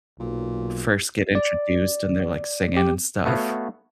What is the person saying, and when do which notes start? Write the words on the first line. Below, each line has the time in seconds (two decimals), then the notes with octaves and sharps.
first get introduced, and they're, like, singing and stuff.
0.20 B1 A#2
1.35 D5
2.77 G4
3.25 A3 B3 F#4 C#5 F5